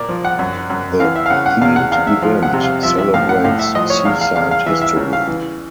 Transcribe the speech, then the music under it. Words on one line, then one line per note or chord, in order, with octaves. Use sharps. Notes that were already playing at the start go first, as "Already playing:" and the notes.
The themed event celebrates Seaside history.
Already playing: A#2 A#4 D5
F3
F#5
F#2
F#2
E3 F5
E5
F5
C#3 F#5
F#5
E2 F5
F#5
E2 F5
E5
F3 F5
F#5
C3
F5
F3 E5
E5
A2 F5
F#5
A2 F5
E5
F3 D#5
C#5
E2 F5
F5
E2 F5
F5
E3 E5
E5
C#3
F5
E3